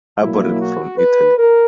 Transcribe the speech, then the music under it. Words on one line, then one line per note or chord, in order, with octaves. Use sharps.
Aborym from Italy.
B2 F#3 A#3 E4
F#4
B4
A#4